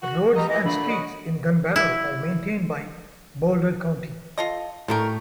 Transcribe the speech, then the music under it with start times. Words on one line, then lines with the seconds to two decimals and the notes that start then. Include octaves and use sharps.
Roads and streets in Gunbarrel are maintained by Boulder County.
0.02 F#4
0.36 G3 D#5 A#5
0.49 E3 D#5
0.65 D2 A#2 D3 A3 B5
0.87 F#4 C#5 D#5
1.76 E4
4.38 F4 A4 D#5
4.88 A2 D3 A3 A4 A#4 G5